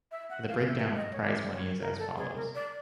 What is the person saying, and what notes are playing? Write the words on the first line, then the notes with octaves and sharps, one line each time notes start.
The breakdown of prize money is as follows.
E5
F#5
F5
E5
D#5
C#5
D5
C#5
A#4
A4
G#4
A#4
D5